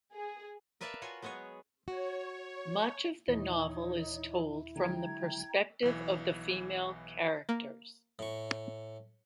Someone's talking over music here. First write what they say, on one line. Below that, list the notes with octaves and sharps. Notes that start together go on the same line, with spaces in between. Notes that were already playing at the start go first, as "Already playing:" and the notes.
Much of the novel is told from the perspective of the female characters.
G#4
A#4 B4 D5 E5 F5 A5
F4 F#4 C#5 G#5
F#3 G#3 B3 G#4 C#5
F#4 C#5
D#2 A#2 E3 D#4 E4 C#5
D3 F#3 G#3 G5 A#5 G#6
B1 E3
A#3
A2 C#6